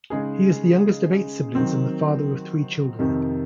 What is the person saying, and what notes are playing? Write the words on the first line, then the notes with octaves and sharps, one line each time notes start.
He is the youngest of eight siblings and the father of three children.
C#3 G#3 D#4 G#4
D#3 F#3 C4
F2 C3 D#3